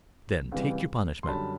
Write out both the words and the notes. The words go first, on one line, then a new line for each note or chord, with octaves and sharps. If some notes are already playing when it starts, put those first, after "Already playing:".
"Then take your punishment!"
C#2 C3 E3 G3
C6
F#2 D3 G3 A5 B5